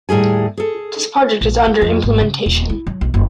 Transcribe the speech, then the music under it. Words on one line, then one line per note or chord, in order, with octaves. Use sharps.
This project is under implementation.
D#2 A2 G3 G#4 G#5
G#4 A4
A#1
A#3
F2
G#1
C#3
D#1
E4
F#3
B1
F#1